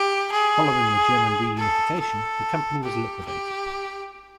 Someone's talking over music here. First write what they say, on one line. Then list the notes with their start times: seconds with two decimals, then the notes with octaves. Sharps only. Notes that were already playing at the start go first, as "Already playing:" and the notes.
Following the German reunification, the company was liquidated.
Already playing: G4
0.32 G#4
1.58 A4
2.00 A4
2.83 G4
3.25 G4